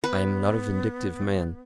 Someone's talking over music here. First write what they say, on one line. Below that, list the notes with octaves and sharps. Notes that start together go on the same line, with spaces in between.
I am not a vindictive man.
B3 B4